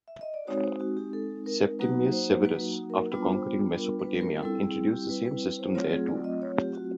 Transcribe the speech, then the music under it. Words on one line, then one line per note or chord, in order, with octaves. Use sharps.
Septimius Severus, after conquering Mesopotamia, introduced the same system there too.
E5
D#5
D5
G#3 C4 D#4 F#4 C#5
C5
F#4
G4
A4
A#4
F#3 A#3 D#4 F#4 B4
C5
B4
A#4
G3 B3 D4 F4 B4
C5
A#4
B4
A#4
G3 C4 E4 A4
G#4
G4
B4
B4
B4
C5
F#3 A3 C4 F4 C#5
G#4
D5
D#5
C#5
G4
F#4